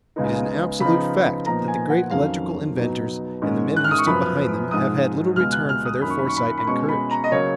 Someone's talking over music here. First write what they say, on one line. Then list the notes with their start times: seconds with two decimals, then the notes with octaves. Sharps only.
It is an absolute fact that the great electrical inventors and the men who stood behind them have had little return for their foresight and courage.
0.16 C#2 C#3 G#3 B3 D#4
0.80 C#3 F3 B3 D#4 B5
1.45 A#2 F3 B3 D#4 A#5
1.68 G#5
1.90 F#5
2.11 F2 D#3 F#3 C#4 F5
2.77 B2 F#3 B3 D#4
3.42 G#2 D#3 G#3 C#4
3.76 F#6
3.84 F6
3.91 D#6
3.98 C#6
4.07 F#2 F3 B3 B5
4.71 G#2 F3 G#3 D#6
5.36 C#2 B2 G#3 F6
5.52 F#6
5.69 F6
5.85 D#6
6.01 F#2 D#3 A#3 C#4 B5
6.10 C#6
6.19 B5
6.28 C#6
6.37 B5
6.58 B5
6.67 B2 G#3 C#4 C#6
6.89 B5
7.11 A#5
7.24 D#5
7.32 C#3 F#3 A#3 C#5